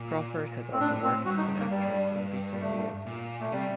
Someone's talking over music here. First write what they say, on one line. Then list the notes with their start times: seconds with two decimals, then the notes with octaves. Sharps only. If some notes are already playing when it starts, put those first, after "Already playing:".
Crawford has also worked as an actress in recent years.
Already playing: A#2
0.73 C4
0.80 A2 D4
1.04 C4
1.25 G2 F#4
1.37 D#4
1.60 A#3
1.71 G3
2.51 G3
2.61 A3
3.06 A#2
3.40 A3
3.52 C3 G3